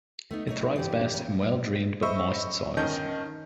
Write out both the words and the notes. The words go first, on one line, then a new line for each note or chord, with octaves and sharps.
It thrives best in well-drained but moist soils.
A3 B3 D#4
A3 D#4 C#5
G2 E3 D4 G4
A#2 C#3 C#4
C5 D#5 E5 B5 C#6 E6
G1 D#3 C#4 D#5 A5 G6